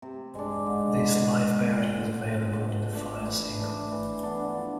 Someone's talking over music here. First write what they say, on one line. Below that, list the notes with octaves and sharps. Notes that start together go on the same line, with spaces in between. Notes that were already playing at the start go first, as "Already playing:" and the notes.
This live pairing is available on the "Fire" single.
C3
G#3 D4
G#2
G#3 B3 E4
F3
A3 C4 E4
D3
G#3 C4 F4
B2
A3 D4
E3
A3 D4
E3
B3 D4
F3